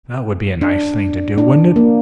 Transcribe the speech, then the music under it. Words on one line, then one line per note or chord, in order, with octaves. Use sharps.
That would be a nice thing to do, wouldn't it?
D4
D4
A#3